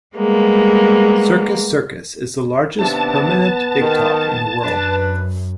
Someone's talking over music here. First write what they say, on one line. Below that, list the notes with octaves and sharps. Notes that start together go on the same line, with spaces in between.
Circus Circus is the largest permanent big top in the world.
G3 G#3 A#3 B3
D#2 C3 B3 D4 A5
D#3
F#2 D4 B4